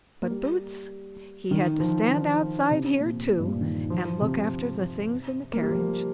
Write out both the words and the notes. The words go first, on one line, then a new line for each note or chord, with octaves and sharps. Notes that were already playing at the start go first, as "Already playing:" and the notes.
But Boots, he had to stand outside here too, and look after the things in the carriage.
A#3
G3
D#3
F3
D#3
C3
A#2
A#2
G2
A#2
D#3
F3
C3
A#3
G3
F3